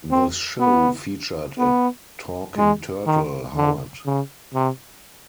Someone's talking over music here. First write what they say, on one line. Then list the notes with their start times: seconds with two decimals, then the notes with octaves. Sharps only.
The show featured a talking turtle, Howard.
0.11 C4
0.60 B3
1.58 B3
2.57 G#3
3.06 D#3
3.56 D3
4.06 C#3
4.54 C3